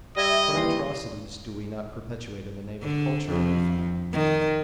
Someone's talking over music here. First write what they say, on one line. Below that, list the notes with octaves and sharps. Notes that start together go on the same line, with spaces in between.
What atrocities do we not perpetrate in the name of culture and refinement!
G3 D#5 E5 G#6 A#6
D#2 E3 C6
D3
F2
D#3